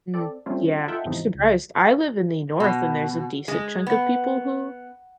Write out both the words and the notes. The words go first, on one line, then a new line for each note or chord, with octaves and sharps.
Mm, yeah, I'm surprised, I live in the North, and there's a decent chunk of people who
C4 A4 D5
G3 A3 C4 C#4 F4
D#4 F4 A4 E5 F#5 G5
E2 G#2 C3 E3 F3 D#4
C#2
B2
G#3
B3